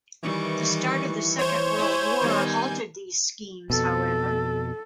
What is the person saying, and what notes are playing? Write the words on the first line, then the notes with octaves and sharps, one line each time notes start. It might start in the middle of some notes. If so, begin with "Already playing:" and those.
The start of the Second World War halted these schemes, however.
D#3 E3 G3 C#6
C5 C#5
E4 G#5 G6 G#6
D#3 G3 B3
F2 B2 A4